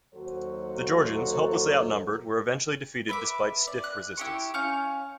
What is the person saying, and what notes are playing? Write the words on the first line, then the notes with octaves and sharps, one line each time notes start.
The Georgians, hopelessly outnumbered, were eventually defeated despite stiff resistance.
D#2 F#3 F#4 A4 C5 C#5
B4 E5 D6
D5
F#6
E4 G4 C#6
C#4 F5 C#6 G6